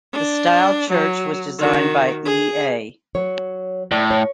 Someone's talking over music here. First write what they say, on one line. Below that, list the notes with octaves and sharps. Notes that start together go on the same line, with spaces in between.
The style church was designed by E. A.
D4
F#3
D#3 F#4
G#4
F#3 C#5
A2 D5
C#5